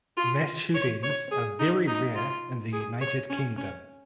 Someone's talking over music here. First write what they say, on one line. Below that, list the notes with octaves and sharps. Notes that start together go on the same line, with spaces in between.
Mass shootings are very rare in the United Kingdom.
F4
C#5
C#5
G#4
D#4
D#4
F4
G#4
C#5
C#4
C#4